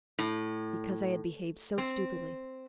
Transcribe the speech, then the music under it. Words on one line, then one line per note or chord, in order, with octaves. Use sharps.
"Because I had behaved so stupidly."
A2
C4